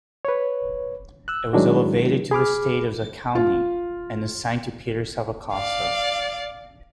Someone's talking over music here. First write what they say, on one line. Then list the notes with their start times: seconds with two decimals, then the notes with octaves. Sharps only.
It was elevated to the status of county, and assigned to Peter Salvacossa.
0.25 B4 C#5
1.28 E6 F#6
1.53 D#3 F#3 G#3 D4 E4 F#4
2.31 G#4 B5 D6 F6
3.35 F4
5.53 D5 F5